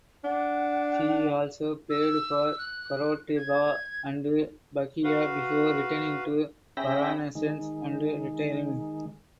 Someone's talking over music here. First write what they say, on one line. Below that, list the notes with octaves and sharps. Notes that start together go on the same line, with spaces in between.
He also played for Coritiba and Bahia before returning to Paranaense and retiring.
D4 F#5
E6
F#6
G#6
F#4 B4 F5
C#4 G#4 E5 G5 B5 A#6
D#3 G#3